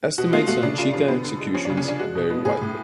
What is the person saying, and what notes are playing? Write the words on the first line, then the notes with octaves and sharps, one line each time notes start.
Estimates on Cheka executions vary widely.
B2 F#4
A3 F4
A3 F#4
C#3 D4
C#3 F4
F3 D4
D3 B3
D3
G#3
F3 C#4
C#3 D4
C#4
F3 D4
G#3 F#4
B2
B3
A2 G#4
A2